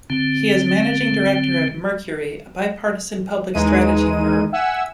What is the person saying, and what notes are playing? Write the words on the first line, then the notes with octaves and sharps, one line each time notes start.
He is managing director of Mercury, a bipartisan public strategy firm.
D3 C4
D#2 E3 G#3 D#4 D#7
E5 F#5 G#5 E6